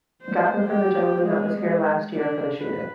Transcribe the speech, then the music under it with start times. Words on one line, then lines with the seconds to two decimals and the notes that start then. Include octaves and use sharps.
Got them from the gentleman that was here last year for the shooting.
0.21 C5
0.67 G4
1.23 G#3
1.57 G#3
2.14 D4
2.59 B4